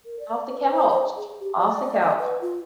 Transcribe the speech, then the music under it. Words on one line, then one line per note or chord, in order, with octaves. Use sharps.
Off the couch. Off the couch.
A#4
D5
B4
C5
C5
G#4
G4
D5
F#5
B4
F4